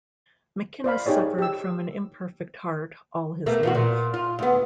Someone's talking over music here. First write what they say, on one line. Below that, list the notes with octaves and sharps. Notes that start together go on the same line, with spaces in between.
McInnes suffered from an imperfect heart all his life.
C5 D5 F5 B5
D#4 G4 G#4 C#5 D5
G4 E6
B2 A3 A#3
B2 F3 F#4
A#2
F4
D2 B3